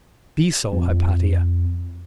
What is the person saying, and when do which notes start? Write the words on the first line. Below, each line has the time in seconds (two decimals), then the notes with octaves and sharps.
Be so, Hypatia....
0.72 F2